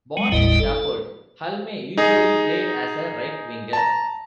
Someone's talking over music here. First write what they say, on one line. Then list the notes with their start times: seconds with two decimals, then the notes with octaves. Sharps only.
Born in Stafford, Hulme usually played as a right-Winger.
0.17 F#3 G#3
0.32 G1 D#2 A2 G3 E4 D#5
0.60 A4
1.97 D#4 G#4
3.73 A5 A#5